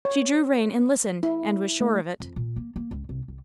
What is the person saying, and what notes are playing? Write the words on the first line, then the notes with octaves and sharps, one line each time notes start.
She drew rein and listened, and was sure of it.
C#5
E4
A3
F2
A#2
A#3
A#3
C#2
C2
C2